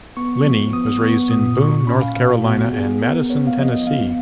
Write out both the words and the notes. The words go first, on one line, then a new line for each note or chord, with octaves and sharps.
Linney was raised in Boone, North Carolina and Madison, Tennessee.
B3 C#6
F3
B3 D#6
B3 C#6
A#2 D#6
A#2 C#6
C#4 B5
F5
A#2 F5
F#4
B3 F#4
B3 G#4
B3 A#4
B3 C#5
F5
F3 D#5
B3 F5